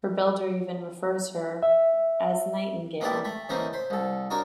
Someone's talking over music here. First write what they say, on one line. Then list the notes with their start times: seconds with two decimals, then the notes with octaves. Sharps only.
Her builder even refers to her as nightingale.
1.63 E5
3.01 A#3 B3 E4 G4 A4 D5
3.25 A3 B5
3.49 C#3 E3 A3 A#3 D#4 C5
3.73 C5 B5
3.90 C2 A4
4.30 D4 D#4 F#4 A#4 C#5